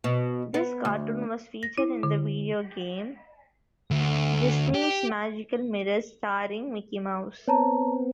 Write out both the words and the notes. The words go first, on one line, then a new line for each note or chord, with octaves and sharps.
This cartoon was featured in the video game "Disney's Magical Mirror Starring Mickey Mouse".
B2
B3
D2
A#6
E4
D3
D2
G4
B3 C4 C#5 A5 A#5